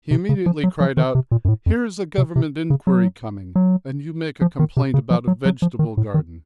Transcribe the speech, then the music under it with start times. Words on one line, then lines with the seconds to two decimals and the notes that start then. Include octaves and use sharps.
He immediately cried out: 'Here is a Government inquiry coming, and you make a complaint about a vegetable garden.
0.11 C3
0.29 C#3
0.46 F3
0.64 F#3
0.81 F3
0.97 D#3
1.15 C3
1.31 A#2
1.45 F#2
1.49 A2
1.66 F2
2.18 C3
2.36 C3
2.70 C#3
2.87 F#3
3.56 F#3
4.41 F3
4.59 D#3
4.77 C3
4.94 C#3
5.11 F3
5.27 F#3
5.46 F#3
5.62 F3
5.79 D#3
5.97 A2
6.14 D#3